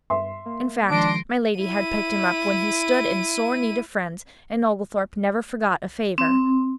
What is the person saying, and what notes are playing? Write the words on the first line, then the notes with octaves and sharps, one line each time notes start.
In fact, my lady had picked him up when he stood in sore need of friends, and Oglethorpe never forgot a favor.
G2 E5 C6
A#3
D#3 F3 G#3 D4 C6 A#6 D7
E4 D#7
C4